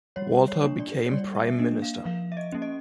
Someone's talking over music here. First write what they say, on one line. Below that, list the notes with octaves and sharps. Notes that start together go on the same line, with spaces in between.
Walter became Prime Minister.
G3 C#5
C#5
A#3 D4
D5
C#5
G3 D5
E5
E5
A#3 D4 D#5
F5
F3 F5
E5
D#5
A#3 C#4
D#5